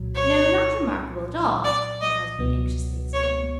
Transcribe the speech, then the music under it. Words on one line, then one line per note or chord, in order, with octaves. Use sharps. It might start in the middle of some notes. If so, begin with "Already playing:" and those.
"No, not remarkable at all!" her husband anxiously explained.
Already playing: C2 A#2 F#3
C#5
D5
D#5
C#2 B2 F#3 B3
C#5